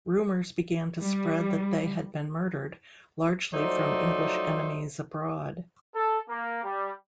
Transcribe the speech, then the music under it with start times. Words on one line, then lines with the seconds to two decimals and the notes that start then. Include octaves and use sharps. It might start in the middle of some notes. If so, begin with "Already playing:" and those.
Rumours began to spread that they had been murdered, largely from English enemies abroad.
1.01 G3
3.54 F3 F#3 A3 D#4 C5 D5
5.95 A4
6.29 A#3
6.64 G3